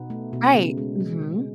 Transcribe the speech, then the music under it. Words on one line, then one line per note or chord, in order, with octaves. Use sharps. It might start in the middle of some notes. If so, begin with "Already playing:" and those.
Right, mhm.
Already playing: B2 B3 D#4
A3
B2
C#3
G#3
G#3
G#3